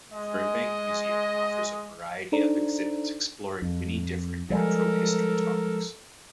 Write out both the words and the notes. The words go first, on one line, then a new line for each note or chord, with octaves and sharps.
Fernbank Museum offers a variety of exhibits exploring many different natural history topics.
G#3 D#5
D4 D#4 A4 C5 D5 A#5
F2
F3 G3 G#3 A4 A#4